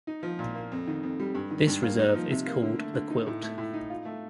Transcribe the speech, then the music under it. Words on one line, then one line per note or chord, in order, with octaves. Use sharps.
This reserve is called the quilt.
D#4
F3
A#2
A#3
F2
D#3
F2
G3
G2
D#3
G2
A#3
D#4
F3
C3
A#3
D3
A3
D3
D#4
A2
A3
A2
D#4
F4
A3